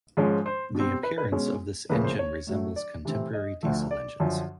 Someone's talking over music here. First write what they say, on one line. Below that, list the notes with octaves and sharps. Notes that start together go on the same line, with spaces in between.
The appearance of this engine resembles contemporary diesel engines.
G#2 F3 G#3 C#4
C5
B2 G3 C4
B4
B4
B2 G#3 C#4
D2 C#3 F3 A#3 B4
C5
C#5
A2 F#3 A3
D5
C3 E3 A3 C4
D#5
D2 D3 F3 A3
D5
F#2 D3 F3